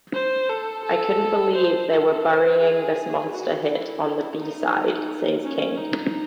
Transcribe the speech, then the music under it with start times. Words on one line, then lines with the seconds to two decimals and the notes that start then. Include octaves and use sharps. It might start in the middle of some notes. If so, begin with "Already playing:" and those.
"I couldn't believe they were burying this monster hit on the B-side", says King.
0.15 C5
0.50 A4
0.85 A4
1.55 C5
1.91 A4
2.25 C5
2.61 G#4
3.31 F#4
3.67 E4
4.38 D#4
5.43 C#4
5.78 D#4